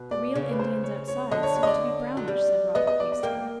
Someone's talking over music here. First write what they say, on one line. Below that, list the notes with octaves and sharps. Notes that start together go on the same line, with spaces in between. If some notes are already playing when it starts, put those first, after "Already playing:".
'The real Indians outside seem to be brownish,' said Robert hastily.
Already playing: B2
D5
C#3 C#5
B4
C5
C#5
C#5
D3 D#5
C#5
C#5
D#5
D5
F#3
G3
B3 D#5
D#5
D5
D5
A#3 G5